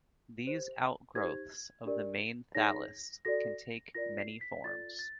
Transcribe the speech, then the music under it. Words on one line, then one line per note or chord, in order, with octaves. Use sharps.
These outgrowths of the main thallus can take many forms.
G4 C5
D#4 G4 C5 G#6
D4 G4 A#4 D5
D#4 G#4 C#5 A#6
F#4 A4 D5 A#6
F4 A#4 D5 A#6
C7
B6
F4 A4 D5 A6
A6